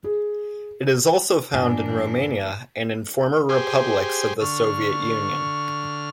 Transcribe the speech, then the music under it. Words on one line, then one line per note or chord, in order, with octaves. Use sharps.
It is also found in Romania and in former republics of the Soviet Union.
G#4
G2 A#2 E3 A#3 D4 G#5
G4 G#4 C5
D3 C#6 F6